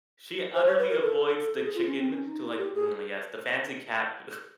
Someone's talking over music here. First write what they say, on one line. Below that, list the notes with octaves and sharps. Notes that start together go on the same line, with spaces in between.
she utterly avoids the chicken to, like, "Hmm, yes, the fancy cat food."
C5
C#5
B4
A#4
A4
A4
G#4
F4
C#4
C4
C#4
D#4
E4
G4
G#4